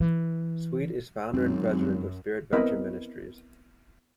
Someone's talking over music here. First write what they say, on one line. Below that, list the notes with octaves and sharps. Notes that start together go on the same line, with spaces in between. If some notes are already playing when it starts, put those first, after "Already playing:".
Sweet is founder and President of "SpiritVenture Ministries".
E3
G#1 F#2 C4
B3 C4 E4 A#4 D#5 B5